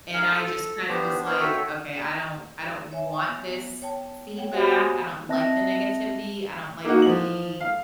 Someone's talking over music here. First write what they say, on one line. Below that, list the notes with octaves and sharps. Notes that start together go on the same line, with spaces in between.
And I just, kind of was like, "Okay, I don't I don't want this feedback, I don't like the negativity, I don't like the"
D#4 A#4 F5 G#5
A4
B3 D4 G4 C5
B3 D4 A#4 C5 C#5
F#4 A4 C#5 E5 G5
C#5 E5 G#5
B3
C#5 G5 A5
B3 G#4 C#5 F#5 G5
F#4 G4 C5 C#5 E5 F#5
G#5 B5 D6 D#6 A#6
C4 D#5 E5 A5 F#6 A#6
A#3 D#4 F#4
F3 F#7
F5